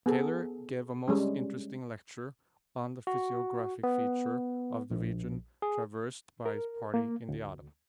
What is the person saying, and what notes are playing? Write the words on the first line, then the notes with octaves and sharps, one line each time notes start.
Taylor gave a most interesting lecture on the physiographic features of the region traversed by his party in the autumn.
B3 G#4 A4
G3 G#3 C#4
F#4
B3
A#1
G#4
A#4
A#3
D2